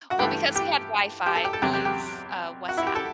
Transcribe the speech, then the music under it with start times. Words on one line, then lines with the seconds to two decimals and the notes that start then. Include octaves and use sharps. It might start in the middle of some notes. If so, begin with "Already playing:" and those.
Well, because we had Wi-Fi, we use, uh, WhatsApp.
0.10 F#4 F#5
0.19 G2 E3 A3 G4 G5
0.55 G4 G5
1.26 G4 G5
1.35 A4 A5
1.44 G4 G5
1.53 A4 A5
1.62 E2 C3 F#3 G4 G5
1.73 G4 G5
1.85 G4 G5
2.69 F#4 F#5
2.77 E4 E5
2.87 G4 G5
2.95 A4 A5